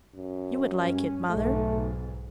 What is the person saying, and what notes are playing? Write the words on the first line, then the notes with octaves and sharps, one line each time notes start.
You would like it, mother?'
F#2
G2 C#4
B1 G#2 A3